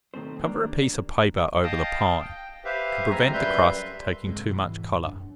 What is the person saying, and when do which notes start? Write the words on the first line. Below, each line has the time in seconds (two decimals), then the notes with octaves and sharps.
Cover a piece of paper over the pie, to prevent the crust taking too much colour.
0.14 B1 D#3 A3 C4 C5
0.42 D#3 G3 A#3 D4 A#5
1.63 D#5 F5 G5 A5 D#6
2.22 G5
2.65 G4 B4 C5 E5 F5
3.10 D2 G#3 C4 G#5 A#5
3.33 F#2 G3 B4 E5 C6 G6
4.27 G2 C3 G#3
4.49 G#2 B2 E3 G3
5.05 F#2 D4